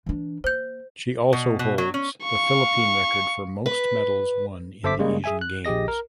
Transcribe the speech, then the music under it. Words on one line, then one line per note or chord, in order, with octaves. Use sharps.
She also holds the Philippine record for most medals won in the Asian Games.
E3 D4
A#3 C5 G6
B2
B2
F#3
C#4
F5 C#6
B4
G1 A4 C5 E5 D6 B6
C#3 G3 G#3 A#3
G#4 E5 G#5
F#6
A#1 G4 G#4 D#5 A#6
A#4